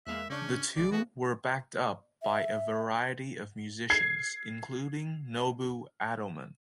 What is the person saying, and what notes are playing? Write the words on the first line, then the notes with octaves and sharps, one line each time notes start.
The two were backed up by a variety of musicians, including Nobu Adilman.
E2 G#3 A#3 E5 F5 F6 F#6
C#3 C#4 D4 C#6 D6 G6
B1 D3 G#3 D5
D#3 E3 B3 F#4 G#4
E5
G#6 C7